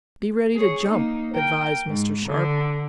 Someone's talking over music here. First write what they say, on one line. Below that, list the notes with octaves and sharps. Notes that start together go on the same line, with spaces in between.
"Be ready to jump," advised Mr. Sharp.
G#4 C#5
A#3 D#4
A#4 G5
G#2
D3